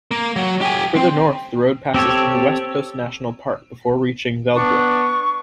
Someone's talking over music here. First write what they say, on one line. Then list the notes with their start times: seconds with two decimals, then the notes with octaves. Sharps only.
Further north the road passes through West Coast National Park before reaching Velddrif.
0.11 A#3
0.36 F#3
0.61 G4 G#5
0.96 C4
1.94 C4 G4 A4 C#5
4.55 B3 D4 C#6